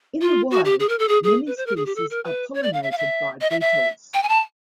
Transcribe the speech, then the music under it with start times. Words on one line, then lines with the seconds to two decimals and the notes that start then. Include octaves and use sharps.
In the wild, many species are pollinated by beetles.
0.21 F4
0.51 F#4
0.65 G4
0.80 G#4
0.89 A#4
0.99 A4
1.09 G#4
1.24 G#4
1.47 B4
1.57 C5
1.66 A#4
1.77 G#4
1.86 G4
1.96 A4
2.10 A#4
2.25 B4
2.54 C#5
2.63 D5
2.73 F5
2.83 E5
2.91 F5
2.98 E5
3.41 D#5
3.51 E5
3.61 E5
4.14 G5
4.23 G#5
4.29 A5